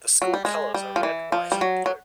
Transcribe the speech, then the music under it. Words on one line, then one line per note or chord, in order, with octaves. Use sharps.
The school colors are red, white, and blue.
F#3
G3
G#3
G3
F3
E3
F3
G3
F#3
F#3